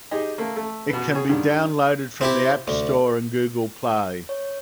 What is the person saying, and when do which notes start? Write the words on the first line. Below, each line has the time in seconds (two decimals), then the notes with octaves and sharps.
It can be downloaded from the App Store and Google Play.
0.11 D#4 G4 G#4 D#5
0.38 A3 A#3
0.56 A3
0.89 B2 B4
1.15 G#4 C#5
1.29 G2 D3 D#3
2.21 C4 E4 G4
2.68 D2
4.29 C#5